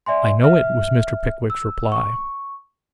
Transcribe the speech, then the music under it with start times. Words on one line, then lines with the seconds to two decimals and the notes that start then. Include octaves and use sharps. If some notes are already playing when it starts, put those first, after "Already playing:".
'I know it,' was Mr. Pickwick's reply.
0.06 D5 E5 G#5 C6
0.44 E5 F6
1.50 E6
1.92 C#6